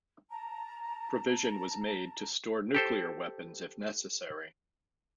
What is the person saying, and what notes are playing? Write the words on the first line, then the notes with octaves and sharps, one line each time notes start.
Provision was made to store nuclear weapons if necessary.
A5 A#5
G4 A4 C5